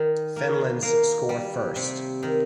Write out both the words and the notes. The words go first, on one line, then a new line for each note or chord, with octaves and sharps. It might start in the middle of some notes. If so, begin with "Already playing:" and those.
Finland's score first.
Already playing: D#3
A#3
A#3
G3
C3
D#3